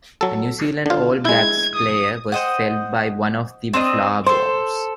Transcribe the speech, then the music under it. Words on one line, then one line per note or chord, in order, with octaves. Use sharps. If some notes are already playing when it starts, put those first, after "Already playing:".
A New Zealand All Blacks player was felled by one of the flour bombs.
F#3 A4
D3 F4
G#3 E4 G#6
D#6
C5 D#5 F#5
C4 D4 D#5
A4 C5 C6